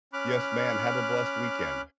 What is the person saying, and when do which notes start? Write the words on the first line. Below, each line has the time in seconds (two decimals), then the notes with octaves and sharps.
Yes, ma'am, have a blessed weekend.
0.13 C#4 B5 D6 F6 F#6